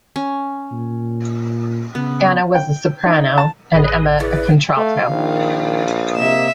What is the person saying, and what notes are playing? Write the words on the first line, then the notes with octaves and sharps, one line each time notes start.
Anna was a soprano and Emma a contralto.
C#4
A#2
C#3 B3
G5
D#4
A5
A1 G#4 B4 D#5
C#3 E4 B4 D5
A3 F5
A#1 D#3
C3 A#3 D#5 E5 E7